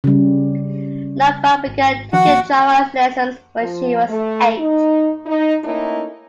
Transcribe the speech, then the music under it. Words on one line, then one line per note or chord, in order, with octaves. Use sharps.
Lombard began taking drama lessons when she was eight.
C#3 G3
G#1
D#3 F3 F#4 F#5
G#1 A#3
F3
A3
D#4
D#4
A3 A#3 C#4 D#4 E4